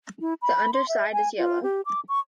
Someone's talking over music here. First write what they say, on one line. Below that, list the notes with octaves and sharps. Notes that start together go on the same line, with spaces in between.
The underside is yellow.
E4
B5
C6
E5
G#5
F4
G4
D6
C#6